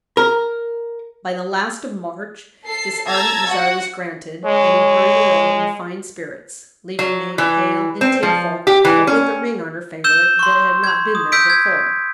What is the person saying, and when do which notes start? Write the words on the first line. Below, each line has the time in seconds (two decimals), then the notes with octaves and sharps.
By the last of March this ardent desire was granted, and he hurried away in fine spirits, leaving May pale and tearful, but with a ring on her finger that had not been there before.
0.17 A#4
2.66 A4 C7
3.07 A5 A#5 E6 G#6 A6
3.47 F#4 F#5
4.45 G#3 C#5
6.99 F#3
7.38 E3
8.01 C4
8.23 F3
8.67 G4
8.85 E3
9.07 C#4
10.04 E6 G6 E7 G7
10.39 C6 C#6
10.84 B5 G#6
11.15 D#6
11.32 E6 G6 B6 D7
11.50 G#6